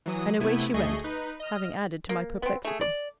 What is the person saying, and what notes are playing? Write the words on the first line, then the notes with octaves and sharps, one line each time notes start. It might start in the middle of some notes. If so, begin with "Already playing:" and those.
And away she went, having added to my perplexity.
E3 F#3 D#6
C3 A3 B3 E4 G#6 D#7
D2 A3 G#4 D#5 C#6
D#4 B4
D#5 F6
A#3
B3 C4
A3 G#4
D5